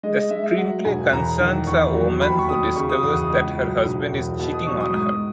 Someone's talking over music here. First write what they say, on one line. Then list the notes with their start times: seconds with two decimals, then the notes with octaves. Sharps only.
The screenplay concerns a woman who discovers that her husband is cheating on her.
0.03 G#3 D#5
0.17 D#5
0.30 G#3 E5
0.44 E5
0.58 F#3 F#5
0.85 E1 G#5
1.12 E2 A#5
1.40 D#3
1.67 E2 C#6
1.94 F#3
2.21 D#2 B5
2.39 C#6
2.49 F#3 D#6
2.76 C#3 C#6
2.89 D#6
3.03 E2 D#6
3.17 D#6
3.30 C#2
3.58 F#3
3.85 E1
4.12 E2
4.39 B2
4.53 D#6
4.67 F#3 C#6
4.80 D#6
4.93 G#2 D#6